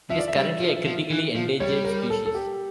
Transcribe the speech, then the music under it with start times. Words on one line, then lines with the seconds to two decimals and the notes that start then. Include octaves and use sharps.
It is currently a critically endangered species.
0.10 F3 E5
0.19 D5
0.28 E5
0.35 G3
0.60 F3
0.85 F3
1.10 E3
1.35 F3
1.60 G3 C#5
1.85 A#4
2.10 A4
2.26 A4
2.35 G4